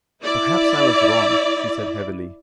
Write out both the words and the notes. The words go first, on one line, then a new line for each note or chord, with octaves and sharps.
"Perhaps I was wrong," she said heavily.
E4 D5